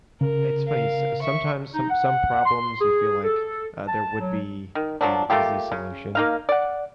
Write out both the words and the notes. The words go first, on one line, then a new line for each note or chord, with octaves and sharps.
it's funny, s sometimes some some problems you feel like, uh, there would be an easy solution,
C#3 A#4
A#4 F5
E5 C#6
D#4
F#5
C6
G#4
A4
A5
F#3
D#3
F3 F#3 D4
A3 A#3 F4 G4
C#3
A#3 D#4 F5
D5 F#5